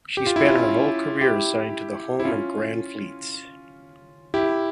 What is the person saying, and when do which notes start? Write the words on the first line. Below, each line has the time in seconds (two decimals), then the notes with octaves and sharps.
She spent her whole career assigned to the Home and Grand Fleets.
0.17 G4
0.27 F4
0.36 E4
0.45 C#4 F4
1.21 E4 G4
2.20 E4
2.25 C#4 F4
4.34 E4 G4